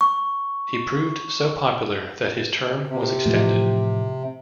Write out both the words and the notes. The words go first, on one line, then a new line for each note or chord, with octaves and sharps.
He proved so popular that his term was extended.
C#6
C3
A2 E3 F3